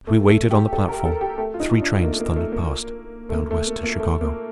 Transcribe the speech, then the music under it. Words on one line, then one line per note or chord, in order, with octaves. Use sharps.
As we waited on the platform, three trains thundered past, bound west to Chicago.
A3
A3
G4
A4
A#4
A4
G4
A3
F4
D#4
D4
A#3
A3
A#3
A3
A#3
A3
A#3
A3
A#3
A#3
A3
A#3